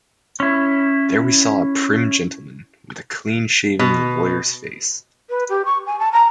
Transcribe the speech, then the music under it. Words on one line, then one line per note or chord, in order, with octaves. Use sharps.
There we saw a prim gentleman, with a clean-shaven, lawyer’s face.
C#4 E4
B2
B4
G4
C#6
G#5
A5
A#5